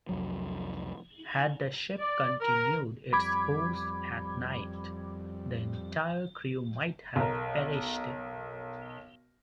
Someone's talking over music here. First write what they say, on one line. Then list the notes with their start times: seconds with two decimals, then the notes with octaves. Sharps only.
Had the ship continued its course at night, the entire crew might have perished.
0.09 C2 F2 F#3
1.99 D5
2.40 A#4
3.13 F2 G3 B5 D6 G#6
7.16 B1 A#4